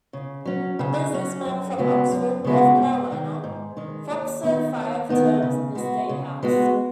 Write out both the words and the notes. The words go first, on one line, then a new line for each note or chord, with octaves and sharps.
A businessman from Oxford, North Carolina, Fox served five terms in the state House.
C#3
F#3 C#4
C#3
F#3 C#4
F#2
C#3 G#3 B3 F#4
F#2
C#3 G#3 B3 F#4
G#2
D#3 G#3
G#2
D#3 G#3
D#2
D#3 B3 D#4
D#2
D#3 B3 D#4
C#3
G#3 B3 F#4
C#3
G#3 B3 F#4